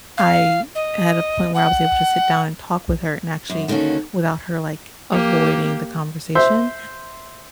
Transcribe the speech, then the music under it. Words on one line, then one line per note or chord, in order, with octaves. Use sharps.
I had a point where I was able to sit down, and talk with her, and actually without her, like, avoiding the conversation,
F5
D#5
F#5
F#2
D3 D#3 A#3 C#4 F#4
A#3 G4
C5 E5